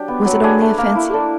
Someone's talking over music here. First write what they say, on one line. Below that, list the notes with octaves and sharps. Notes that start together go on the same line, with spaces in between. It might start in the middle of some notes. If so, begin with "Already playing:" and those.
Was it only a fancy?
Already playing: F#3 D4 G4
B3
F#3
D4 G#4
A3
A#3
E4
D4